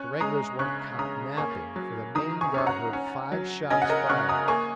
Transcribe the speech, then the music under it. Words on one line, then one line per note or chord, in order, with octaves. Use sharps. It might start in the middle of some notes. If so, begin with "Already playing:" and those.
The regulars weren't caught napping, for the main guard heard five shots fired.
Already playing: C#4 C#6 F#6
G#3 A#5 D#6
C#3 C#6 F#6
C#3 A#5 D#6
A#3 G#5 C#6
F#3
D#3 A#5 D#6
G#5 C#6
C#4 C#6
F#5 A#5
C#4
F#3
C#3 D#5 G#5
F#5
A#4 D#5
C#3 C#6 F#6
A#5 D#6
A#3 G#5 C#6